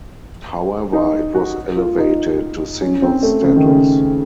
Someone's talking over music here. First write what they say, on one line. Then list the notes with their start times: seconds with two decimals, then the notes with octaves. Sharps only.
However, it was elevated to single status.
0.93 D#4
1.35 F#4
1.77 F4
1.98 D#4
2.81 C#4
3.02 C4
3.23 A3
3.44 C#3
3.57 D#3
3.68 C#3